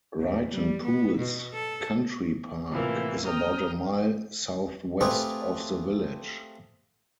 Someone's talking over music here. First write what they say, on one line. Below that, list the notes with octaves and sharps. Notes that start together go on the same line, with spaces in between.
Ryton Pools Country Park is about a mile south-west of the village.
E2
G3
B3
B2
A4
A2 C3 E3 F3 A#3
G5 A#5 D#6 F6
A3 C4 F4 G4 G#4 B4